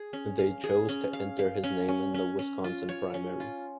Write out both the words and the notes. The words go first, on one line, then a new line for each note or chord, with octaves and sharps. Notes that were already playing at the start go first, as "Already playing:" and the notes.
They chose to enter his name in the Wisconsin primary.
Already playing: G#4
C#4
F5
G#4
C#4
F5
F5
C#4
C#4
C#4
C#4
F4
C#5
C#4
F4